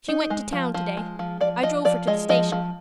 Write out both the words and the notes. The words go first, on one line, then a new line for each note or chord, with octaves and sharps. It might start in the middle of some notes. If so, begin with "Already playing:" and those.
She went to town today--I drove her to the station.
D#4
G#3
F3
F3
G#3
F3
F3 D5
F3 D#5
F3 D5
G#3 D#5
F3 D#5
F3